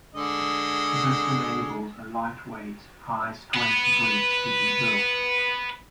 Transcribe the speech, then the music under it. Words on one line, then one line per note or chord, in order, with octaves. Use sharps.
This enables a lightweight, high strength bridge to be built.
D3 G#3 D#5
B4 F#5